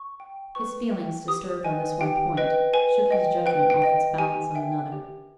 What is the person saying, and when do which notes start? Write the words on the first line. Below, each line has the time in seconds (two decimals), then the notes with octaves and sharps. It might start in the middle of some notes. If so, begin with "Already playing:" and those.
His feelings, disturbed on this one point, shook his judgment off its balance on another.
Already playing: C#6
0.20 G5
0.55 B4 C#6
0.91 G5
1.28 G4 D#6
1.64 B4 D#5 G5 G#5
2.01 G4 G5
2.37 B4 D#5 G5
2.73 B4 G#5
3.11 D#5 G5
3.46 B4 G5
3.70 G5
3.82 D#5 G5
4.18 G4 G#5
4.55 A#4 E5 G5
4.92 G4